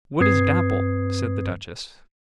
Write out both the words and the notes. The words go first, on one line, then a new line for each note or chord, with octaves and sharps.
"What is Dapple?" said the duchess.
G2 C4 B4 D#6 G#6 C7